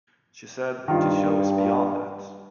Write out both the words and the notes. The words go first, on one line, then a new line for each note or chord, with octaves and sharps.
She said, This show is beyond that.
G2 D#3 F4